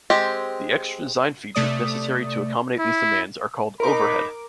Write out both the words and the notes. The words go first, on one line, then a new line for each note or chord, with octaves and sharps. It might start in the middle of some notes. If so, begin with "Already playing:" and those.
The extra design features necessary to accommodate these demands are called overhead.
G#3 C4 G4
C3 A3 D5 D#6
E4
D#4 A#4 B5 D6